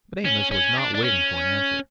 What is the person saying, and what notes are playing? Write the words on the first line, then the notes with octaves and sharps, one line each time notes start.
But Amos was not waiting for an answer.
C#4
C#4
D4
D4
C#4